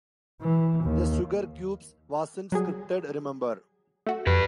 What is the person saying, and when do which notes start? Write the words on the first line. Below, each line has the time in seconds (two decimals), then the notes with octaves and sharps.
The Sugarcubes wasn't scripted, remember.
0.41 E3
0.84 D#2
2.52 F#3 G3 G#4
4.07 A3 F#4
4.27 F2 G4 B4